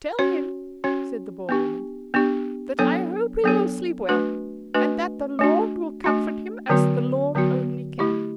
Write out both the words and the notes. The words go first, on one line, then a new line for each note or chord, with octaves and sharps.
"Tell him," said the Boer-woman, "that I hope he will sleep well, and that the Lord will comfort him, as the Lord only can."
C#4 F#4 C#5
C#4 F#4 C#5
B3 D4 G4
B3 D4 G4
F#3 B3 D4 A4 C#5
F#3 B3 D4 A4 C#5
A3 D4 F#4 B4
A3 D4 F#4 B4
A3 D4 F#4
A3 D4 F#4
D3 F#3 B3 F#4
D3 F#3 B3 F#4
A3 E4 G4